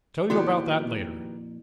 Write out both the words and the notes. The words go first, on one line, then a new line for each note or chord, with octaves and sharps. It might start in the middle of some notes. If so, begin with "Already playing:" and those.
"Tell you about that later."
F2 A#2 D#3 B3 E4 F#4 G4 D5